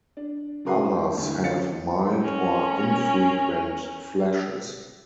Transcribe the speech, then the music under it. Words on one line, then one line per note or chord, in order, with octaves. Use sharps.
Others have mild or infrequent flashes.
D4
C#3 F#3 A#4 B4 C7
G5
D2 E3
F#3 C#4 F5 A6 C#7
C#4 A#4